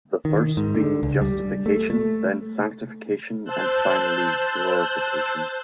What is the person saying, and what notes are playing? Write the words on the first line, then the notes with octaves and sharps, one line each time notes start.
The first being justification, then sanctification, and finally glorification.
D#3
G#2
D3
C#2
G3
A3
A3
C5 A5 E6 F#6 G6